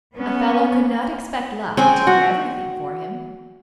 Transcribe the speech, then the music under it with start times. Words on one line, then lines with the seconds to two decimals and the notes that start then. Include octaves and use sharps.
A fellow could not expect Luck to do everything for him.
0.17 B3 C#4
1.77 G#3 C4 C#4 G5 G#5
2.07 F#4